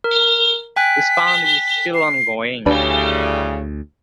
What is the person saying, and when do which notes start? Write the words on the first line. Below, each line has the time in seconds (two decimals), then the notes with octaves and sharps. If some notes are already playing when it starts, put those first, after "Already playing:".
This fund is still ongoing.
0.04 A#4
0.76 G5 G#5 F#6 B6
1.94 C7
2.66 D2 A2 C#3 G3 D4 B4